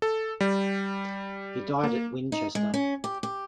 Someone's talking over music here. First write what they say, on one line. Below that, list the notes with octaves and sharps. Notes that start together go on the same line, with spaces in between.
He died at Winchester.
A4
G3
A#3
D#4
G#3
C#4
G4
G4